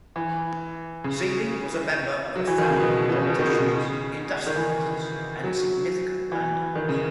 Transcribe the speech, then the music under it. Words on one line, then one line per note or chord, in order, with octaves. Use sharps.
Seely was a member of a family of politicians, industrialists and significant landowners.
E3
C#3
F#3
E3
D#3
C#3
B2
B2
C#3
B2
D#3
C#3
B2
C#3
D#3
E3
F#3
E3
D#3
C#3